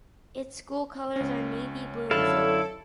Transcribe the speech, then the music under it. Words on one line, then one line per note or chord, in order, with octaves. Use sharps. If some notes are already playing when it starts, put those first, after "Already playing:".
Its school colors are navy blue and silver.
C#2 C#4
F#2 D3 E4 A4 C#5 F5